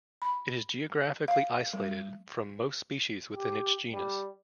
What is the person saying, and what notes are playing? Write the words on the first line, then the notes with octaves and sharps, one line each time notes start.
It is geographically isolated from most species within its genus.
B5
F5
G3
G4
G3